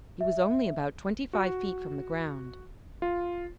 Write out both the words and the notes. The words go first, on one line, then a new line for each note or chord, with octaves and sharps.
He was only about twenty-five feet from the ground.
E5
F#4
F4